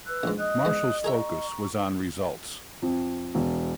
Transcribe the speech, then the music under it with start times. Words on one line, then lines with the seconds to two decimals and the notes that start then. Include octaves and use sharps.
Marshall's focus was on results.
0.06 B4 E6 F#6
0.23 A#1 G#2
0.38 D#5 D#6 F#6
0.65 G#2 B3
1.04 G#4 A#4 E5 A#5 C#6
2.82 F2
3.35 E1